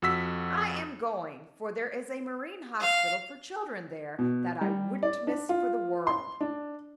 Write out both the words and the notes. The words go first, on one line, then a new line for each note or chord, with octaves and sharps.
"I am going, for there is a marine hospital for children there, that I wouldn't miss for the world."
F2 F#4 E6 B6
F5
B2
G3
D5
D4
F4
C6
D4